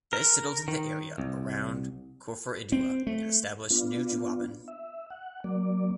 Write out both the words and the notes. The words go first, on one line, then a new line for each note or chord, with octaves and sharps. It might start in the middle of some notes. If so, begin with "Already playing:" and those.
They settled in the area around Koforidua and established New Juaben.
A#4
D#3
C2
C4
A3
B3 D4 F4
E5
F#5
F#3 A#3 D5